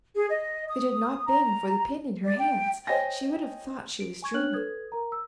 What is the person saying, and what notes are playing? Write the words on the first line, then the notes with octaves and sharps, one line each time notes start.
If it had not been for the pin in her hands she would have thought she was dreaming.
G#4
D#5
D#6
A#5
D5
G5
C5 C#5 D#5 G5 G#5 A#6
D7
G#5 C#6 G#6
D4 C#5 F6 F#6 F#7
A4 B4 D#6 G#6
A#4 A#5
E6